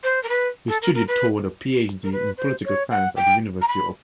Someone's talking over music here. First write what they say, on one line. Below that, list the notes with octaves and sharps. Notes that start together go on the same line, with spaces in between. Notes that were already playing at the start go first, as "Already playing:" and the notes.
He studied toward a Ph.D. in political science at the University of Iowa.
C5
A#4
B4
A4
A#4
A#4
B4
A#4
B4
C5
C#5
F#5
G5
A#5
B5